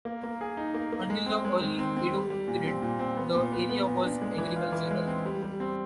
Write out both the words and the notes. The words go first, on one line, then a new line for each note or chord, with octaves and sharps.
Until the early Edo period, the area was agricultural.
A#3
A#3
G#4
D#4
A#3
A#3
G#3
C4
G#3
D#3
C4
C4
G3
G3
A#2
C4
A#2
C4
B3
A#2
B3
B3
A#2
D4
G#3
E3
F4
E3
G#3
C4
G3
G3
C4